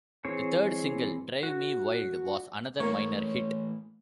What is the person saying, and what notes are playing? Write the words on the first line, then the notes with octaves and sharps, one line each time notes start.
The third single, "Drive Me Wild", was another minor hit.
E3 C4 G#4 C#5
F#4
A2 E3 A3 A#3 A#4 C#5